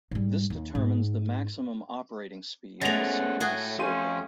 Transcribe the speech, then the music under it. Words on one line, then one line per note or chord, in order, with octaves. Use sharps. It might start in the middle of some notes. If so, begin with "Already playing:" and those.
This determines the maximum operating speed of a synchronous circuit.
G#2 G3
D#2
G#2
G#3 A3 B3 C#4 F#5 A6 A#6 F7
A2 A3 F#4 G#4
F2 C#4 G4 F5 C6 D#7